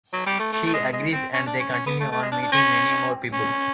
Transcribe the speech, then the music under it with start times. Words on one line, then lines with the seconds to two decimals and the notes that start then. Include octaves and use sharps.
She agrees and they continue on, meeting many more people.
0.13 F#3
0.26 G3
0.39 A3
0.52 A3
0.66 A3
0.73 G#3
0.93 G#3
1.13 C4
1.33 C#4
1.47 D4
1.60 C#4
1.73 C#4
1.86 B3
2.00 A3
2.12 A3
2.22 G#3
2.32 D4
2.42 D4
2.52 C#4
3.33 C#4